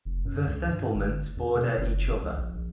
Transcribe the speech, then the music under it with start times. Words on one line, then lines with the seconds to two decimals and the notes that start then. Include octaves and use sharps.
The settlements border each other.
0.05 F1
0.25 F#2
0.47 C#2
0.68 G2
0.94 G1
1.37 E2
1.56 B2
1.77 F#1
2.23 C#2
2.37 A#1
2.54 A#1